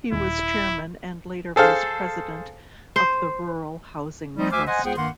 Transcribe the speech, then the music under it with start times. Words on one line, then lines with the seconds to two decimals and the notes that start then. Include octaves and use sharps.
He was chairman and later vice-president of the Rural Housing Trust.
0.13 D#1 E4
1.56 G#4 A4 C5 F5
2.96 C5
4.38 F3 G3 A3 C4 D#4
4.51 D2 C5 E5 G#5 D6 F6
4.67 C5 D#5 F#5 G#5
4.84 C#2 B3 G#4 C5 F#5 G5
4.97 G2 D#3 A#3 F#5 C6